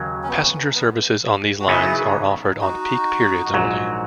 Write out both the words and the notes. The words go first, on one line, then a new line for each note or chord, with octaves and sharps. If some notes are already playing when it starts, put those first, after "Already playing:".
Passenger services on these lines are offered on peak periods only.
Already playing: D#2 C#3 F#3
C#4
B3
B3
F#4
C#3 F#3 B3 D#4 E4 G#4
D#4 F#4
A#1 G#2 F#3